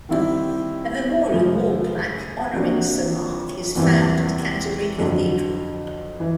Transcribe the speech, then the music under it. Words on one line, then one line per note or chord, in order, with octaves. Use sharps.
A memorial wall plaque honoring Sir Mark is found at Canterbury Cathedral.
D#3 G3 C4 E4 G4
F#2 C#3 F3 A3
C3 F3 A#3 D4 F#4
E2 C3 E3 G3 A#3
F2 D3 F#3
E3